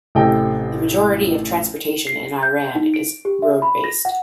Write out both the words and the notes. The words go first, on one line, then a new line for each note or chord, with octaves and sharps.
The majority of transportation in Iran is road-based.
A1 C3 A4 D#5 G5
C7
G6
D#4
D7
G4
E5
B5
A#6
F#5